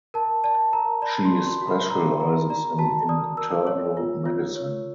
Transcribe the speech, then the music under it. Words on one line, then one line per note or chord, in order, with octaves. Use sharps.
She specializes in internal medicine.
A#4 A5
D5 A5
A#4 A#5
D5 B5
C6
F#4
C6
F#4
B5
A#4 A#5
A#4 A#5
D5 A#5
F#4 A5
D5 D#6
A#4 E6
C#5
F4
F4
C#5